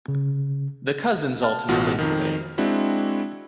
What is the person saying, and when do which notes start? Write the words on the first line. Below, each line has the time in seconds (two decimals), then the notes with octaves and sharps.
The cousins ultimately prevailed.
0.08 C#3
1.43 A5 F6
1.68 A1 B2 B3 F4 F#4
1.99 F2 D#3
2.58 G#3 C4 D4 E4 F#4